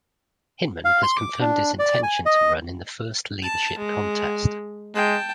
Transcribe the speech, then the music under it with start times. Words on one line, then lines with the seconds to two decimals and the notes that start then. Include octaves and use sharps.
Hinman has confirmed his intention to run in the first leadership contest.
0.85 F5
1.03 C6
1.17 D6
1.40 D4
1.79 D5
2.03 G#5
2.26 D#5
3.42 A5
3.79 G#3
4.95 G#3 G5 A5